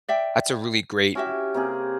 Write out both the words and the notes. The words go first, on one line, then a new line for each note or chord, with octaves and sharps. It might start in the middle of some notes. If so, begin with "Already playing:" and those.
That's a really great,
D5 E5 G5
C#4 E4 F#4 G4 E5
C3 A#3 G#4